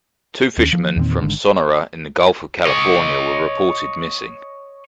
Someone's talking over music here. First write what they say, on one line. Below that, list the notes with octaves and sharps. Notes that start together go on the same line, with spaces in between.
Two fishermen from Sonora in the Gulf of California were reported missing.
D#2 C#4
F3
E2 A#2 D#3 C4
G#1 G#2 D3
C#5 D#5